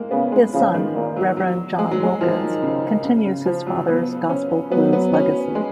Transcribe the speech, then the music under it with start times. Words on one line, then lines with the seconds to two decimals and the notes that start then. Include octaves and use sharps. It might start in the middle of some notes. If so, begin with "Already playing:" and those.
His son, Reverend John Wilkins, continues his father's gospel blues legacy.
Already playing: G#3 A#3
0.11 C#3 B3
0.32 G#3
0.53 C#3 F3
0.74 D#3
0.95 A#2 D#3
1.16 F#3
1.37 F#3
1.79 G#3
1.91 F#3
2.03 G#3
2.20 D#3 F3
2.62 C#3
3.04 C#3
3.25 C#3
3.46 F3
3.67 F#3
3.88 B3
4.29 C#4
4.72 F#3 B3
4.93 B3
5.14 C#4
5.55 G#3